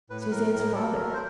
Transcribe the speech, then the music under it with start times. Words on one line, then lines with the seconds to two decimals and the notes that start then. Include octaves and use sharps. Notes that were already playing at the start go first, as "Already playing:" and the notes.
Suzanne's father!
0.10 A2 B4
0.22 B4
0.31 A2 A#4
0.53 A2 A#4
0.75 F#3 A4
0.96 F#3 A#4
1.13 C5